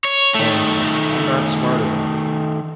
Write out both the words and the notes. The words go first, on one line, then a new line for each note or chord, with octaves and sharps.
"Oh, no, I 'm not smart enough."
C#5
D#3 A3